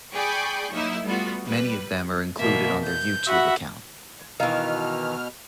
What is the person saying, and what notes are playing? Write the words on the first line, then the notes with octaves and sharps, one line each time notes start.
Many of them are included on their YouTube account.
G#4 D5 G5 G#5 B5 C#6
F#3 A#3 D#4 E4 E5
G3 A3 B3 F4 F#4
G3 B4
E2 B2 A#3 E5
G6
F#4 E5 F#5 B5
B2 D#3 E3 D#5 F5 F6